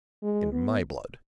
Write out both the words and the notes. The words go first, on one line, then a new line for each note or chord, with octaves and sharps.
In my blood!
G#3
B3